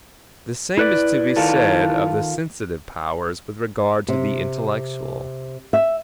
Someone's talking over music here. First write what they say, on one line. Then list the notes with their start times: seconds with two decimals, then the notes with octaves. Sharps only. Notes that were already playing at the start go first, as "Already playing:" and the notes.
The same is to be said of the sensitive powers with regard to the intellectual.
0.77 E4 B4 D5
1.36 D#3 F4 A4
4.08 C3
5.73 E5